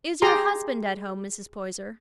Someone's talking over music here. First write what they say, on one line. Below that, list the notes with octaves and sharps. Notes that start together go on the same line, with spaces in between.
"Is your husband at home, Mrs. Poyser?"
G4 G#4 A#5 C6